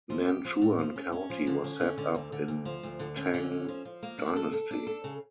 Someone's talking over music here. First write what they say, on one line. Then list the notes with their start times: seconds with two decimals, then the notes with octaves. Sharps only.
Nanchuan county was set up in Tang Dynasty.
0.10 F3
0.27 G4
0.45 F3
0.62 A2
0.78 F3
0.96 C#4
1.12 C#4
1.30 F3
1.47 D3
1.64 C#4
1.80 D3
1.98 D3
2.15 D2
2.32 D3
2.48 D2
2.65 F3
2.83 D2
2.99 D3
3.17 C#4
3.34 D3
3.51 C#4
3.68 F3
3.85 F3
4.03 A#3
4.18 D4
4.36 A4
4.53 A4
4.71 D4
4.87 A4
5.04 C#3